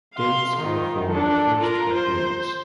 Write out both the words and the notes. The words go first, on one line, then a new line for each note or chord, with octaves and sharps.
Dates are for the first appearance.
F5 C6
D#3 F4
D4 A4
F4 A#4
C5